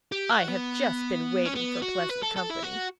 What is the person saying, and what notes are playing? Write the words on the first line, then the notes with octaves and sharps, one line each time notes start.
I have just been waiting for pleasant company.
G4
F#4
B3
C#4
B3
F#4
B4
A4
A4
E4
F#4